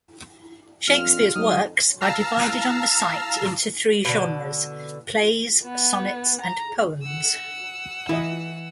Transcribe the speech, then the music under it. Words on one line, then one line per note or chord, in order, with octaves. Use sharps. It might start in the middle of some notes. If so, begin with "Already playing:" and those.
Shakespeare's works are divided on the site into three genres: plays, sonnets, and poems.
F2 D4 F4 F6
F2 G#2 F#3 D#4 A4 D#6
F5 A5 A#5 E6 F6 C7
B2 D3
B3
A#5
F#5 E6
E3 E4 D#5